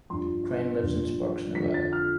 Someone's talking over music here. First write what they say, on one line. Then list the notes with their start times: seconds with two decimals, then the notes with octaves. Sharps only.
Crane lives in Sparks, Nevada.
0.10 G2 F3 C6
0.82 G2 F3
1.55 F2 D3 F3 B6
1.74 A6
1.93 F6